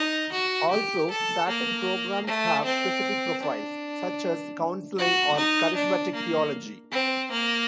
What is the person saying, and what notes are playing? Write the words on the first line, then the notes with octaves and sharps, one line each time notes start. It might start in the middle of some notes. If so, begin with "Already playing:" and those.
Also, certain programs have specific profiles, such as counselling or charismatic theology.
Already playing: D#4
F#4
G4
A4
A#3
A3
C4
D4
F#4
D#4
D4
A#3
C4
A#3